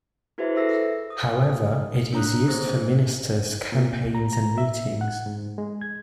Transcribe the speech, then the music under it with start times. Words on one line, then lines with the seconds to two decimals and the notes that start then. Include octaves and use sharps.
However, It is used for ministers campaigns and meetings.
0.38 E4 F#4 G#4 B4 C5 E5
0.55 A4 B4 E5 E6 A#6 C7
1.10 D#6
2.13 D4 C#5 A#5 D#6 F#6
2.47 A#3 C4 G#4 C5
3.72 A#2
4.15 A#5
4.33 A#5
4.58 E5
5.01 F#5
5.26 G#2
5.58 G#3
5.81 G#6